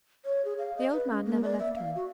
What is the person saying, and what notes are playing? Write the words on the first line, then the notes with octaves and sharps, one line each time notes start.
The old man never left me.
C#5
G#4
F5
D#5
B4
C#4
A#3
D5
E5
F5
F#4